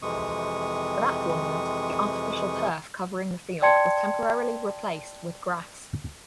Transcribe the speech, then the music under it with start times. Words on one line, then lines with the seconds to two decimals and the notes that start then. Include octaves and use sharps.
For that tournament, the artificial turf covering the field was temporarily replaced with grass.
0.02 F2 C3 E3 G#3 C#6 D#6
3.62 D5 G5 A5 C6 G#6 C#7